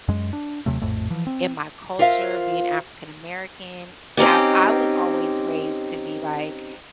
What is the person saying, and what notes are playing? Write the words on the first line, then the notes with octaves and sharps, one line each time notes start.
in my culture, being African American, I I was always raised to be, like,
F#2 G#3
D4
D#2 C3 F#3 A3
A#1 F2 A2 A3
E3 F3
C4
F4 A#4 C5 E5 F5
C4 C#4 D#4 G4